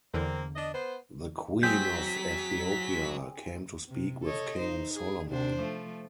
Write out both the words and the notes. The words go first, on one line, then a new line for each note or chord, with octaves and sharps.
The queen of Ethiopia came to speak with King Solomon.
E2 D3 A#3 C4 A#4
D4 D#5
B3 C5
F#3 C4 G#4 G6 B6
C3
A4 C#5 D#5
D#4 C5
G#4
C3 D4 C5
F3 A3